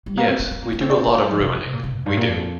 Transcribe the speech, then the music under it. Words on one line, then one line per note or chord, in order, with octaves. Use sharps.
Yes, we do a lot of ruining, we do.
G3
A#3
C4
C4
C4
A#3
A#3
C4
D4
C4
A#3
A3
G3
F3
C3
C3
A#2
C3
F2
G2
A#2
F2